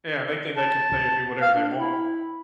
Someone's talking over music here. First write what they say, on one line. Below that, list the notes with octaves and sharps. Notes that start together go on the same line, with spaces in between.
Yeah, they think they can say and do whatever they want.
A5
F5
D4
E4